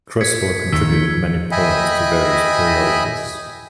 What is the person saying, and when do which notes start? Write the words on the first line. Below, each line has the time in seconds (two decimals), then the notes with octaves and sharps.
Creswell contributed many poems to various periodicals.
0.21 G#6 B6 C#7
0.72 D#2 D#3 E6 G#6 B6
1.52 D#5 E5 G5 G#5 B5